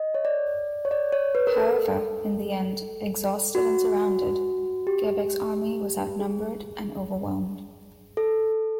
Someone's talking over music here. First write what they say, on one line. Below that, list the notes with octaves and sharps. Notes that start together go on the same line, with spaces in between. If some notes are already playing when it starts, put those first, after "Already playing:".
However, in the end, exhausted and surrounded, Gaebaek's army was outnumbered and overwhelmed.
Already playing: D#5
C#5
D5
C#5
D5
C#5
B4
A#4
A4
F#4
G4
G#4
A4